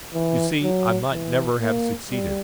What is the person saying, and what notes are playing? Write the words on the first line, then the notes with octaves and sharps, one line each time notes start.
You see, I might never have succeeded.
E3
F#3
E3
A#3
G3